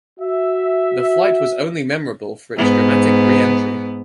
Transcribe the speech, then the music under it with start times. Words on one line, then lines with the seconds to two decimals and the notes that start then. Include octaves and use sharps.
The flight was also memorable for its dramatic re-entry.
0.20 F#4 E5
2.56 G#2 B3